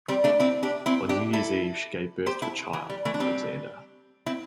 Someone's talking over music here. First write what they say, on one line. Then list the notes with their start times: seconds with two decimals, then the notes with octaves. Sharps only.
On New Year's Eve she gave birth to a child, Alexander.
0.08 G3 C4
0.24 A3 D4
0.40 C4 E4
0.63 D4 G4
0.86 C4 E4
1.09 D4 G4
1.33 E4 A4
2.26 G4 C5
2.42 E4 A4
2.73 E3
2.90 G3
3.05 E3 A3
3.14 D4
3.20 G3 C4
4.26 C4 E4